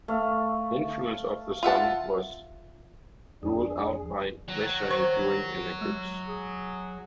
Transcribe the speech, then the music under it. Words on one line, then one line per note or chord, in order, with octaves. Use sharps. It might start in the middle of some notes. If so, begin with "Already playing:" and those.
Influence of the Sun was ruled out by measuring during an eclipse.
A3 F5
F4 E5 F#5 A5
F2 D4 G#4
D#3 F#3
C5 C#6
G#3
G#4